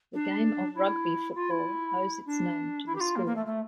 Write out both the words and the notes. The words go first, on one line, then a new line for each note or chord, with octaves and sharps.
The game of Rugby football owes its name to the school.
D4
E4
F4
E4
D4
E4
G4
F4
A#3
A#3
A3
A3